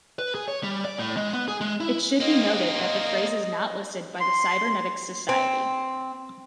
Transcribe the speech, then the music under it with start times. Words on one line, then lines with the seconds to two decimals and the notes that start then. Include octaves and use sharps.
It should be noted that the phrase is not listed by the Cybernetics Society.
0.19 B4
0.35 G#4
0.48 C#5
0.63 G3
0.85 D5
0.99 A2
1.17 G#3
1.33 B3
1.48 G#4
1.61 G#3
1.80 E4
2.20 A#3 C4 D#5
4.20 C6
5.29 C4